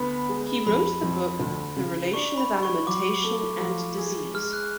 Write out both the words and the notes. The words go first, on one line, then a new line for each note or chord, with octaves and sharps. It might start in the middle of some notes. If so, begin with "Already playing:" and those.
He wrote the book "The Relation of Alimentation and Disease".
Already playing: D2 B3 B5
G#3
F2 B5
F2
D2
C#3
D4 C#6
B5
D4
C#6
F#3 D6
A3
F3
G#4
G#3 F6
F#6